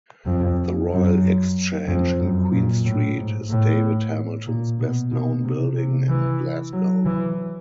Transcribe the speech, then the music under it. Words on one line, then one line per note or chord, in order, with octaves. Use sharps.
The Royal Exchange in Queen Street is David Hamilton's best known building in Glasgow.
F2
F#2
F2
F#2
A#2
A2
G#2
A2
A#2
B2
B2
C3
C3
E3
F#3
E3